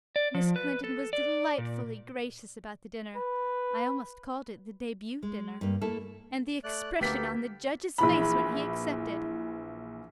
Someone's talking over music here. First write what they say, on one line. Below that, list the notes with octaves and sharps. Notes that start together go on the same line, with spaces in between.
Miss Clinton was delightfully gracious about the dinner--I almost called it the debut dinner--and the expression on the judge's face when he accepted!
D5
F3
B4
A4
D5
A#2
B4
G#3
G2 A#3
A3 A#3 E4 A4
A3 D5 F#6
D2 A#3 G4 A4 B4 B6
A#1 E3 B5